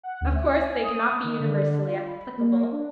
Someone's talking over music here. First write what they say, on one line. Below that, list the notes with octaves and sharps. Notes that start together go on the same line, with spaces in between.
Of course, they cannot be universally applicable.
F#5
D2
E5
G#5
D#6
D#3
D3
F4
B5
A#3
D4